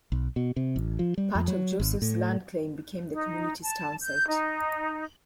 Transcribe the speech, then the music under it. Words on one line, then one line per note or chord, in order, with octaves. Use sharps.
Part of Joseph's land claim became the community's townsite.
B1
B2
C3
A1
F3
G3
F2
F#3
G#1
A2
D#4
A5
G6
D#4